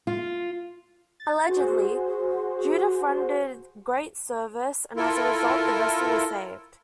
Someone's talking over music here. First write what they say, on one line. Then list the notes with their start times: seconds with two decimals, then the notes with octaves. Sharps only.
Allegedly, Judith rendered great service and as a result the vessel was saved.
0.07 F4
1.20 A6
1.48 F#4 G#4 C5
4.97 E4 F4 A4 A#4